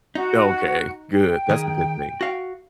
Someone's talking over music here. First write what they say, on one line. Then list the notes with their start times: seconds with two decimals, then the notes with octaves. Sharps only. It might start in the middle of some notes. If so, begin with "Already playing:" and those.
Okay, good. That's a good thing.
0.15 D#4 F#4
1.13 G5
1.49 D#3 G#4
2.21 F#4 F5